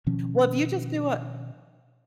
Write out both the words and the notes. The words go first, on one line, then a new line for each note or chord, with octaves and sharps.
Well, if you just do a
B2 D#3 F3 C#4